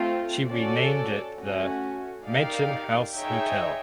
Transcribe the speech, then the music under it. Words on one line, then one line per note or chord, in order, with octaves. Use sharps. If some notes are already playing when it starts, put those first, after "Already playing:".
She renamed it the "Mansion House Hotel".
Already playing: A3 C4 F4
C#4 F#4 A4 D5
A3 C#4 F#4
D#4 G4 A#4 D5 F5
D#4 G#4 C#5 E5 G5